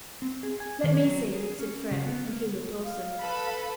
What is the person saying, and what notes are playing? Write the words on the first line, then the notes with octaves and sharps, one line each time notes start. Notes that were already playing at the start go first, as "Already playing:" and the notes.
"Let me see," said Frere; and he looked also.
C4
G#4
G#5
D#3
F#3
G#4
C#4
C#3
B3
A#3
F5
A4 B4 B5